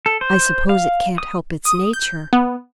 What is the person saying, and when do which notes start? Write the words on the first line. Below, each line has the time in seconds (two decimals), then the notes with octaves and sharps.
I suppose it can't help its nature.
0.06 A4
0.21 C5
0.69 F5
1.18 D#6
1.65 D#6
1.93 G6
2.33 B3